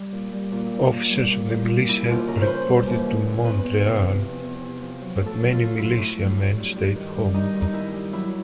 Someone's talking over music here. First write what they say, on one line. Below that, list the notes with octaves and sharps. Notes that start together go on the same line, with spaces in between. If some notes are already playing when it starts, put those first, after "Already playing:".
Officers of the militia reported to Montreal, but many militia men stayed home.
Already playing: G3
A#2
G3
A#2
G3
A#2
G3
A#2
G3
A#2
G3 E4
D#2 F4
C#3 A#4
C5
E3 B4
G3
D#2
C#3
E3
E2 B4
E2
C3
F3
E2
E2
C3
F3
F#3
A2
A4
F#3
F4
A2
F#3 E4
A2
F#3
A2
G2
G2
D#3
G3
G2 D#4
G2
D#4
D#3 E4
G3
F#3 E4